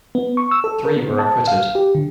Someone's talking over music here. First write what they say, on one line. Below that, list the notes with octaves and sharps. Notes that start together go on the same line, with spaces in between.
Three were acquitted.
B3
C#6
E6
A4
A#4
B3
A5
F5
G4
D3